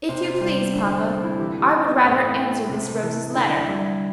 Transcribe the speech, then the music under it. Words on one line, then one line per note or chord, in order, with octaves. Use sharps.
"If you please, papa, I would rather answer Miss Rose's letter."
C3 C5
C5
G3 C5
D3 C5
C5
C4 A4
E4
E3 G4
G4
C4
A2 C5
A3
C3
E3 A4
D3 E4
G3